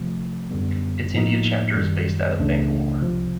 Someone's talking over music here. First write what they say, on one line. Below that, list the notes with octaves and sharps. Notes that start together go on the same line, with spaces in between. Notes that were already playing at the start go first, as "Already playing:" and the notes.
Its India chapter is based out of Bangalore.
Already playing: C3 F3 A3
F#2 D3 G3 B3
A2 F3 A#3 D#4
F#2 D#3 G3
C#2 C#3 E3 A3 D4
C2 C3 F3